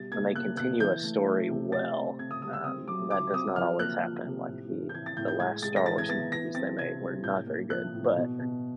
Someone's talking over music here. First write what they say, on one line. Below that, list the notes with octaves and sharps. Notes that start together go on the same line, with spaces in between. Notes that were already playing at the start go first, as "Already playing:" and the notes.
when they continue a story well, um, that does not always happen, like, the the last Star Wars movies they made were not very good. But
Already playing: B2 G3 A6
A#3 G#6
A#3 F#6
B2 F#6
E3 G6
A3
A3
C3
C4 A6
C4
C4 G#6
D#6
G3 D#6
E6
C4 D#6
F#3 D6
F#3 D6
C4 D#6
F3 F6
A#3 F#6
F3
C3
A2
E3
G6
E3 G#6
A6
A2 G6
G6
G#3 G#6
G#3 A6
A#6
E3 A6
G#6
B3 A6
E3 A#6
C4 A6
C3 G#6
C3
A2 G6
A#3
F3 F#6
A2
B2
B2